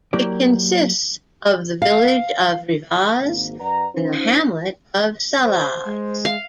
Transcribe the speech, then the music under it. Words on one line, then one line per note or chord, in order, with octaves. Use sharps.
It consists of the village of Rivaz and the hamlet of Sallaz.
F#3 A#3 E4 G4 A#4 D5
F5
G#1 A#3
F#2 B4 D5 F#5 A#5
C#4 D#4 F4 C5
C5
G#3
F5